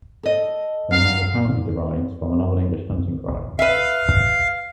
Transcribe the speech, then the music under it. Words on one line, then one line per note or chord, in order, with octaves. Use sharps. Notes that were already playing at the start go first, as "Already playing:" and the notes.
The name apparently derives from an old English hunting cry.
A4 D#5
F#3 F5
B4 E5 F5